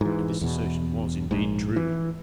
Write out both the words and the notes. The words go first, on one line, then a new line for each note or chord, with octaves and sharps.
And this assertion was indeed true.
G#2 E3
E2 B2
A#1 G#2
E3